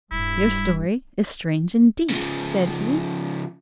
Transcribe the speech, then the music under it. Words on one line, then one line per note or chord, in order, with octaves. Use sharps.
'Your story is strange indeed,' said he.
D#1 G2 E4
C#3 F3